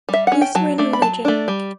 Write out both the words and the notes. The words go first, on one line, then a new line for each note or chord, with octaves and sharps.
Lutheran religion.
G3
E5
C#4 F#5
G5
F#3 A5
A3 D4
B5
F#3 A5
A3 D4
G3